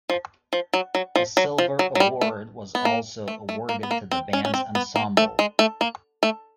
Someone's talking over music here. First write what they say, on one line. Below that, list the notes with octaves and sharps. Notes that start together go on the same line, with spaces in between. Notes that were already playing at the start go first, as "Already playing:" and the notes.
A silver award was also awarded to the band's ensemble.
F3
F3
F#3
F#3
F3
F#3
F3
F#3
F#3
G3
A3
B3
A#3
A3
A3
A#3
B3
A#3
C4
C#4
C#4
C4
B3
A#3
A3
G#3
A3
A#3
A3